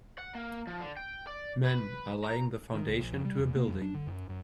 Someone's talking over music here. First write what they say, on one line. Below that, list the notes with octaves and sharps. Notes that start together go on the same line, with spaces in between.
Men are laying the foundation to a building.
F#5
A#3
F3
D3
G5
D5
B4
A#5
D#3
C#2
A#1
F2
G3
E2
A#3
F2
D4
D3
F#2
F#2